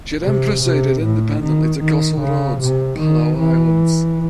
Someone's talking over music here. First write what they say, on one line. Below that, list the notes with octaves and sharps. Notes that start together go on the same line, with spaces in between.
She then proceeded independently to Kossol Roads, Palau Islands.
C3
C3
A2
D#3
D#3
C#3
C3
D#3
E3